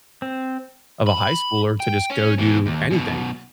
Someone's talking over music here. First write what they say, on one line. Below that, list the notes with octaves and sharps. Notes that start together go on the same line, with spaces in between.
of a high schooler to just go do anything,
C4
B5
G5
C#4
B2 E3
D#2
F#2 B2